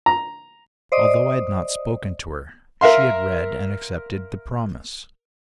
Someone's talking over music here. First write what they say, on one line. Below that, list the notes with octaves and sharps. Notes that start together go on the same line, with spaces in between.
Although I had not spoken to her, she had read and accepted the promise.
A#5
C5 D5 D#5 D#6
A#4 E5 F5 C6